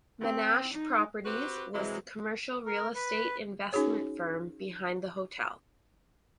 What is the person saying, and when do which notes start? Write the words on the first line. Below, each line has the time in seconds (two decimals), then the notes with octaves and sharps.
Menashe Properties was the commercial real estate investment firm behind the hotel.
0.22 C4
0.74 D#4
1.25 C4 F#4 G4 B4
1.74 C3 E3 F#3 G#3
2.66 A#4
2.95 B4
3.73 C#4 D#4 F#4 G#4 C#5